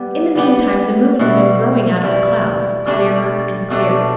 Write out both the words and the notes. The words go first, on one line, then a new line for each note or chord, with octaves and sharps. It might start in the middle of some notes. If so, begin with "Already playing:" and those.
In the mean time the moon had been growing out of the clouds, clearer and clearer.
Already playing: G3 B3 G4
G3 B3 G4
B2 G3 E4
B2 G3 E4
B2 A3 D4 G4
B2 A3 D4 G4